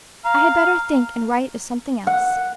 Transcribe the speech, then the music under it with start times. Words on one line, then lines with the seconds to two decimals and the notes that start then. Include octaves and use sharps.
I had better think and write of something else.
0.25 F5 A#5
2.07 F#5